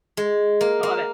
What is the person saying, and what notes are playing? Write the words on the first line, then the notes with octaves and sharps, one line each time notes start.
I love it.
G#3
A#3
A#3